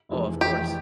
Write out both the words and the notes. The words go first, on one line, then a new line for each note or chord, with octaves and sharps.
Oh, of course.
F1 F2 C3 E3 G#3
F1 E2 E3 G4